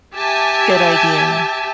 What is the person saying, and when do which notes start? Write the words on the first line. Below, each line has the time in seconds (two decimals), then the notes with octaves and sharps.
Good idea.
0.16 G4 E5 G#5 A5